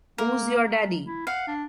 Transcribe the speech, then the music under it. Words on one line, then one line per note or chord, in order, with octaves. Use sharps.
Who's Your Daddy?
A#3 A#4
E4
F5 F#5
D4